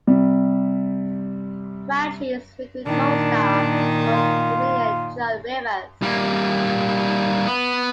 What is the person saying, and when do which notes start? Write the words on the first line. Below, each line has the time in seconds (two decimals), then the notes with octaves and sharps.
Franchi's frequent co-star was comedian Joan Rivers.
0.07 C3 G3
2.86 A#2 D#3 D4
4.13 F4
6.02 G3 A#3
7.47 B3